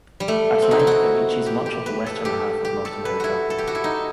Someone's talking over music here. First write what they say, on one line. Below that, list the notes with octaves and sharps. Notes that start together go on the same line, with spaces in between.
At night, it reaches much of the western half of North America.
G3
A3
C4
D#4
E4
F#4
G4
G4
B4
A4
G4
G4
A4
B4
E4 F#4
A4
G4
F#4
E4
D#4